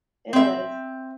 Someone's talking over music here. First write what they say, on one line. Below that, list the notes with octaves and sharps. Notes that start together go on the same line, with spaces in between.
It is.
C4 E5